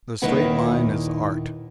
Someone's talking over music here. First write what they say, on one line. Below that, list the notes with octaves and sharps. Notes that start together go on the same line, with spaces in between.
The straight line is Art.
D#2 A#2 D#3 E4 B4 F#5